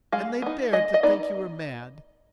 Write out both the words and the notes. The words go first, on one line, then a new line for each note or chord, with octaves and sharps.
And they dared to think you were mad!
G#3 F5
B3 D#4
G#3 D#5
D#5
B3 D#4 D5